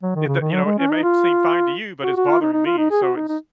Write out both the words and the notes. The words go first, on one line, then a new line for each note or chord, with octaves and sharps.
It the, you know, it may seem fine to you, but it's bothering me so it's
F#3
D#3
C#3
D#3
F#3
G#3
C#4
D#4
F4
F#4
F#4
F4
D#4
D#4
F4
D#4
G#4
F#4
D#4
D#4